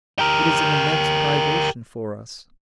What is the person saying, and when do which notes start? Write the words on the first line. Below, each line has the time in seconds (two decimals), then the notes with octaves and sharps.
It is an immense privation for us.
0.19 G4 A#4